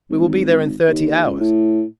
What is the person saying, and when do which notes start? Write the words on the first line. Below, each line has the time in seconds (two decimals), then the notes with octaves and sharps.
We will be there in thirty hours.
0.10 G#1
0.88 D#2
1.24 C#2
1.41 A2